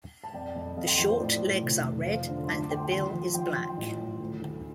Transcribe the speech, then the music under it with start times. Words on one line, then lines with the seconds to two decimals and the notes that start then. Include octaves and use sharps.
The short legs are red and the bill is black.
0.24 A5
0.33 F2 D5 G5
0.55 F2
0.77 F2 F5 A5
0.87 G5 C6
0.98 F3 G5 C6
1.09 C5
1.20 A2 D5
1.41 A2
1.63 F1
1.84 F1
2.05 F3 C5 F5
2.27 D3
2.44 C6
2.48 D2 A5 D6
2.70 D3 G5 C6
2.91 F3 G5 C6
3.13 F3
3.34 F3 G5 C6
3.56 F3 G5 C6
3.77 A1
3.98 A1
4.20 D2
4.42 D2